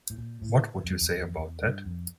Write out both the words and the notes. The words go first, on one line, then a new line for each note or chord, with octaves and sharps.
What would you say about that?
A2
A#2
A2
F2
E2
F2
E2
G2
F2